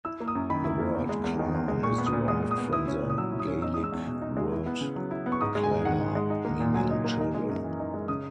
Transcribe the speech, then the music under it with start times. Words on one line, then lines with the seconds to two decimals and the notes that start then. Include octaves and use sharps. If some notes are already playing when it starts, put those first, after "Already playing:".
The word "clan" is derived from the Gaelic word "clanna", meaning "children".
0.05 E4 E6
0.20 A#3
0.28 D#6
0.35 F#2
0.50 D#3 B5
0.64 E4
0.80 A#3
0.95 E2
1.09 G#3
1.24 E2
1.39 D#3
1.54 E2
1.68 G#3
1.83 A#2 C#6
1.98 B3
2.06 D#6
2.13 A#2
2.28 G#3 D#6
2.43 A#2
2.51 D#6
2.58 B3
2.73 E4 D#6
2.87 C#4
3.02 A#2
3.10 D#6
3.18 F#3 E6
3.32 E4
3.39 D#6
3.47 C#4
3.62 D#4 E6
3.74 G#3 D#6
3.84 E6
3.92 E2
4.07 B2
4.21 D#4
4.37 G#3
4.52 E4
4.66 B3
4.81 C#3
4.96 F#3
5.11 E4
5.26 B3
5.32 C#6
5.41 G#2 D#6
5.55 G#3
5.63 G#5
5.71 G#2
5.85 D#3 F#5
6.01 G#2
6.15 G#3
6.30 D#4
6.45 A#3
6.60 A#2
6.74 F#3 G#5
6.90 D#4
7.04 A#3
7.20 D#4
7.34 G#3
7.49 F#2
7.64 E3
7.79 D#4
7.94 G#3
8.08 C#3 D#6